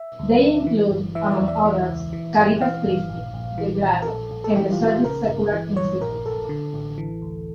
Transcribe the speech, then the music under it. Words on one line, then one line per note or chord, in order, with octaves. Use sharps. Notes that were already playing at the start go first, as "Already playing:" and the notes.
They include, among others, Caritas Christi, The Grail, and the Servite Secular Institute.
Already playing: E5
D2
D2
E3
G1
E3 E5
D5
E2
E5
E3
C#2
E3
G1
E3 F5
G1
A#1
A#1
E3
A#1
A#4
A#1 A4
A#1
A4
E3 G4
F4
A#1
F4
C#3 A#4
G1
E3
G1 C#5
A#1 A#4
A#1 A4
D3
A1
E3
D2